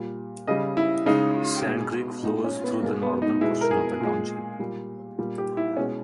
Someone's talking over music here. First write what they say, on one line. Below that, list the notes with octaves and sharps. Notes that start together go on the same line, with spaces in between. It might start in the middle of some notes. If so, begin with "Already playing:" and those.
Sand Creek flows through the northern portion of the township.
Already playing: A#2 G3
C#3 G3 D#5
E4
C#3 G#3 D#4
B2 G#3
A#2 G#3 D#4
C#4
B3
B2 G#3 A#3
B3
D#4
B2 G#3 E4
A#4
G#4
A#2 G#3
A#2 G3
A#2 G3
G4
E4
B2 G#3 C#4